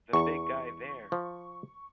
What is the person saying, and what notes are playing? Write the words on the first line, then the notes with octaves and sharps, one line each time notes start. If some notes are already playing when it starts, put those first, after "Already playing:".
The big guy there!
E2 C#6
F3